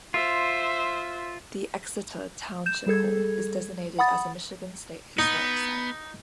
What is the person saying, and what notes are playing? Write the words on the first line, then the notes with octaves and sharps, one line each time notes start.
The Exeter Township Hall is designated as a Michigan State Historic Site.
F4 C5 E5
G6 E7
G3 G#4 A4 G#6
F#5 B5 D#6 A6
B3 D#4